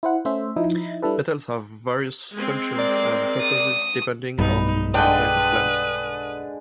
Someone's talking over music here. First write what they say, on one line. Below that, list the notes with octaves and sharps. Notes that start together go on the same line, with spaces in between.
Petals have various functions and purposes depending on the type of plant.
E4 C5 F#5
A3 C#4 C5 E5
F3 D#4 E4
G3 D4 E4 A4 B4
G#3 C4
A#4 D5
D#6
B1 G2 B2 D#4 B5
D3 G#3 D4 B4 G5 D#6